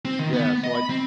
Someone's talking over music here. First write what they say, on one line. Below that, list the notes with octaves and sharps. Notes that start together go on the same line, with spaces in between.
yeah, so, I t
C4
D#3
B3
D#5
B5
C4